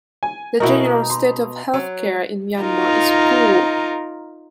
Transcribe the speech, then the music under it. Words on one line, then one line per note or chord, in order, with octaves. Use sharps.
The general state of health care in Myanmar is poor.
G#5
B2 D#4 E4 F#4 A#4
C6
F#3
D#4 F4 A#4